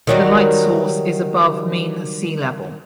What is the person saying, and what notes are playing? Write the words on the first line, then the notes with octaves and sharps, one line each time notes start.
The light source is above mean sea level.
D#3 F#3 G3